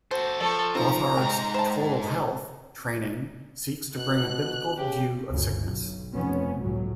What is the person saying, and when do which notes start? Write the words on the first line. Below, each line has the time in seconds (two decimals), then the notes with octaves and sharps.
Gothard's "Total Health" training seeks to bring a Biblical view of sickness.
0.11 F#4 A4 C5
0.40 F3 A4 D5 C#6
0.75 C4 D#4 F4 A#5
1.17 D#2 G#2 G5
1.54 C5 A5
3.95 B2 F#6
4.77 C#3 G4
5.29 G1 D2 C#3
5.62 B1
6.13 F1 F3 B3 C#4
6.61 G1 C#2 A2 F#3